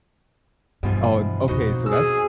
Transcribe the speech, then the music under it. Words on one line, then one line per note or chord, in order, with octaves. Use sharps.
Oh, an okay, so that's
G2 B2 E3 F3
F2 B2 D#4 F#4 C5
G#4 E6